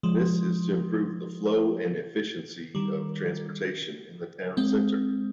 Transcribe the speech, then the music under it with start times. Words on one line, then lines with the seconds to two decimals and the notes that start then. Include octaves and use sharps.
This is to improve the flow and efficiency of transportation in the town centre.
0.03 F3 G#3
2.75 D#3 G3
4.57 G#3 C4